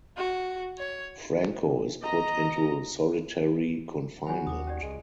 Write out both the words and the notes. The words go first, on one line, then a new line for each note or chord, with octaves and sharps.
Franco is put into solitary confinement.
F#4
C#5
D#5 A#5
F#3 F#4 C#5 G#5 B5
D#2 D6 D#6
C#4 G4 D5
C#2 G#3